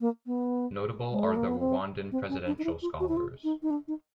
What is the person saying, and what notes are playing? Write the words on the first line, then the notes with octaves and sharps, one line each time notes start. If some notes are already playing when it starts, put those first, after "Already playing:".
Notable are the Rwandan Presidential Scholars.
A#3
B3
G#3
A3
A#3
B3
C4
C4
C#4
D4
D#4
E4
F4
F#4
E4
F4
D#4
D#4
D4
D#4